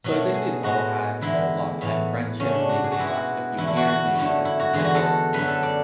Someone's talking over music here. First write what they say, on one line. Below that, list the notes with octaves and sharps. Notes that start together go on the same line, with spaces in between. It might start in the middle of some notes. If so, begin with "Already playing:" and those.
So, I think we've all had, you know, longtime friendships, maybe they've lasted a few years, maybe even some decades.
B2 F#3 A3
G#4
A2 G#3 B3 F#4
E2 D3 G#3 E4
A2 E3 B3
C#3 F#3 A3 C#4
D4
F#4
G#4
F#4
B2 G#3 B3 E4
F#4
E2 D3 A3 E4
E4
F#4
F#4
F#2 D3 A3
E4
F#4
E2 D3 G#3 B3 G#4
F#4
A4
F#2 D3 F#3 B4
A4
D5